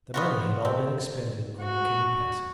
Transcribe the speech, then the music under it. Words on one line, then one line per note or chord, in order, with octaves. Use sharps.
The money had all been expended on the canoe passage.
B3 F4 F#4
C4
F#4